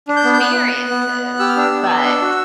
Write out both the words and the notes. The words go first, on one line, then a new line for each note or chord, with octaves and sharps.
experiences, but
D4
G6
B3
G6
B3 F#6
B3
B3
B3
B3
B3
G4 E6
F6
D4 E6
B3
D4
D4
F#4